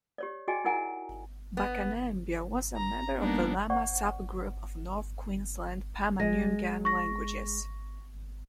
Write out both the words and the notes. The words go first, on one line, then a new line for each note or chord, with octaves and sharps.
Bakanambia was a member of the Lama subgroup of north Queensland Pama-Nyungan languages.
G4 C#5 D5
F#4 G#4 D5 D#5 G5 G#5
D#4 E4 A#4 F#5 G#5 A#5
B3
A#5
G3 A#3 B3 D4 D#4
C5 D5 F#5 C#6
G#3 A#6
C#6 A#6